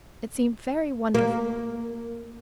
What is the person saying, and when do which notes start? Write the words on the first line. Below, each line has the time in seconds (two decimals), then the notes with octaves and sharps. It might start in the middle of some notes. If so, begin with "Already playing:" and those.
It seemed very wonderful!
1.14 A#3